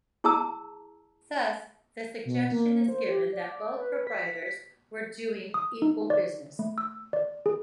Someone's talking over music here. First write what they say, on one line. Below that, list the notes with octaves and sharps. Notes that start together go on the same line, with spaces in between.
Thus, the suggestion is given that both proprietors were doing equal business.
E4 G#4 A5 A#5 E6
B2
A#3
C5
G4
D5
B4
B6
D#6
D#4
D5
A3
E6
D5
G#4